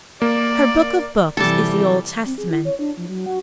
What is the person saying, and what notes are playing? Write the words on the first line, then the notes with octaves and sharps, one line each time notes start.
Her book of books is the Old Testament.
A#3 D5
C3 E3 G3 A4 A5
C4
G#4
E4
C#5
D4
F3
F#3
F#4